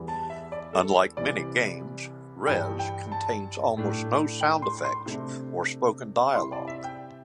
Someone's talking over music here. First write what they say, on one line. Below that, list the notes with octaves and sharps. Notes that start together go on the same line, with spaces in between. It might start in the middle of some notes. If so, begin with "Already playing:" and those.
Unlike many games, "Rez" contains almost no sound effects or spoken dialogue.
Already playing: E2 E3 G3
A5
E5
D5
A4
C2 C3 E3 G3 D5
G2 E3 G3 G5
G5
A5
A2 A3 D4
G5
C6
C6
C3 A3 D4
C3 G3 E4 C6
D5
E5
G5